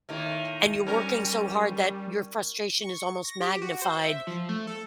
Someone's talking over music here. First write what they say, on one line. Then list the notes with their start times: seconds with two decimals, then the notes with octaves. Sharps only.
and you're working so hard that your frustration is almost magnified
0.09 A2 D#3 A#3
0.87 G3 C#4 A#4
2.82 C#6
3.25 A#6
3.41 G4
3.62 F#4
3.82 C5
4.04 E5
4.27 F3
4.49 A3
4.67 A4